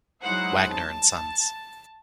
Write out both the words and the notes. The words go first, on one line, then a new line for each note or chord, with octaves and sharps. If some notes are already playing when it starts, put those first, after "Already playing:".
Wagner and Sons.
F#3 G#3 D#4 E4 C5 F#5
A5